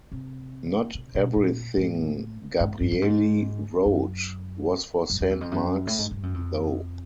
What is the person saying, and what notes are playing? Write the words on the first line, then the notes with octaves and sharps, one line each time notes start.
Not everything Gabrieli wrote was for Saint Mark's, though.
C3
C3
B2
A#2
A2
G#2
G2
G2
G#2
F#2
F#2
F2
E2
F2
F#2
A2
G#2
G2
F#2
F2